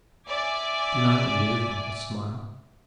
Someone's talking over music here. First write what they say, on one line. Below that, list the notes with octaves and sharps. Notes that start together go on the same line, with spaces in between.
Did I not live on her smile?
D5 E5 G#5 D6